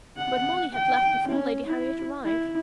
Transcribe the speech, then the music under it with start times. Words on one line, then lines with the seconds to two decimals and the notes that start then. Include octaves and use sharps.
But Molly had left before Lady Harriet arrived.
0.17 F#5
0.74 G5
1.28 C#4
1.67 E4
2.25 E4